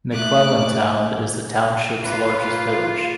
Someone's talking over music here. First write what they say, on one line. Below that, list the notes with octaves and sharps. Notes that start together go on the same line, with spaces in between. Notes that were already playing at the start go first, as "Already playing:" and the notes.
McClellandtown is the township's largest village.
A3 D6 F#6
A#3 F4 B4